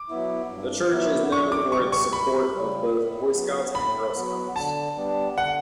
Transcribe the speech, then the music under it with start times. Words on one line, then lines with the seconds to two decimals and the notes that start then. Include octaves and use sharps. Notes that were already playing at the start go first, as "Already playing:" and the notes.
The church is known for it support of both Boy Scouts and Girls Scouts.
Already playing: D6
0.10 F#3 B3 E4
0.50 G2
0.91 F#3 B3 E4
1.32 F#2 C#6
1.52 D6
1.72 C#3 G3 C#6
1.92 C#6
2.12 F#2 B5
2.53 C#3 G3
2.94 A2
3.34 F#3 B3
3.74 A2 B5
4.16 F#3 B3
4.56 D3 A5
4.96 G3 B3 D4
5.37 D3 F#5